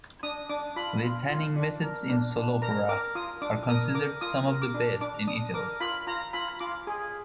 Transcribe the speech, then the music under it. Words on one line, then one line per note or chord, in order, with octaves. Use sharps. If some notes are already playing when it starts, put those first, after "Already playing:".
The tanning methods in Solofra are considered some of the best in Italy.
D4 D#6
D4 D6
F4 B5
F4
F4
D4
A#4
D4
D4
A#4 A#5
A#4 D6
F4 D#6
D4 D6
A#4 D#6
A#4 D6
F4 D#6
A#4
D6
D4
D4 D6
D4 D#6
A#4 D6
F4 B5
F4 A#5
F4 B5
F4 D6
G#4